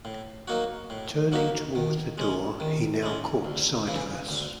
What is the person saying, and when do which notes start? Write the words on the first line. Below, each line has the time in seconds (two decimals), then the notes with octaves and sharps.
Turning towards the door, he now caught sight of us.
0.05 A2
0.48 F#3 A#3 D#4 F#4
0.90 A2
1.32 F#3 A#3 D#4 F#4
1.75 D#3
2.18 G#3 C#4
2.60 D#3
3.02 G#3 C#4
3.45 D2
3.87 C#3 E3
4.28 D2